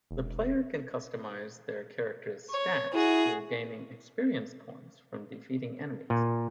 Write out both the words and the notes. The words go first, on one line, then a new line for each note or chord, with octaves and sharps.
The player can customize their character's stats through gaining experience points from defeating enemies.
E1
C#5
E4 F#4 G#4
A#2